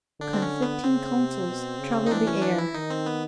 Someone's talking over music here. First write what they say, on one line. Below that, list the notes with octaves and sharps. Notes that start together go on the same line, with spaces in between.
Conflicting counsels troubled the air.
D3 D4
C4
C#4
B3
C#3 C4
C3
B2
C#3
D#4
E3 D4
C#4
D4
E4
D#3 D#4
C4
B3